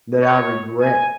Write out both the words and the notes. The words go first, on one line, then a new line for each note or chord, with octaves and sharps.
that I regret."
C#5
G#5